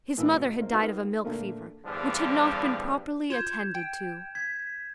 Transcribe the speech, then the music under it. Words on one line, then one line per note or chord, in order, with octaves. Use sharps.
His mother had died of a milk fever, which had not been properly attended to.
A2 E3 A#3 E6
G#1 C3
A#3 C4
D#3 F4 B4 F5
A#2 D3 A3 A#3
E2 G2 D3 F3 G3
F4 G6 G#6 E7
G5
G#6 B6